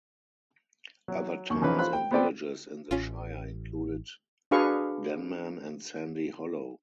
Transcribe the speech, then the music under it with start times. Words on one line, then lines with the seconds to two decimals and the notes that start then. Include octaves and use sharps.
Other towns and villages in the shire included Denman and Sandy Hollow.
1.08 F#3
1.50 D#2 C#6
1.62 E3 F3 C#4 D#4 B4
1.79 F4 C5 B5 F#6
1.93 G5
2.11 B3 C4 D5 G5
2.91 A1 C#4 F4
4.51 D4 F#4 G#4 B4 F5 C#6